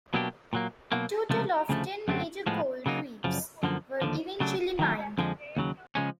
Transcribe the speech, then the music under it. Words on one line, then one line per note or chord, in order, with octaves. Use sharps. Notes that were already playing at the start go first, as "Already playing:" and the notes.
A total of ten major gold reefs were eventually mined.
B2 F#3 A#3 D4 G4
A#2 F#3 A#3
B2 F#3 A#3
C#2 C3 F3 A3
D2 C#3 F3 A3
F#2 D3 F#3 A3 C4
A2 F3 G#3 B3
C#3 F#3 A#3 D#4
F#2 C#3 F3
F#2 D3 F3 A#3
D#2 D3 F3
C#3 F#3 A3 D4
D#3 F#3 A3
F2 D3 F3 G#3
D#2 C#3 F#3
C#3 F3 G#3 C#4